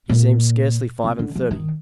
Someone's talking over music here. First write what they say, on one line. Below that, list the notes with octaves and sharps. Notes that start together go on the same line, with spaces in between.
He seemed scarcely five and thirty.
A#2
C3
D3
F3
D#3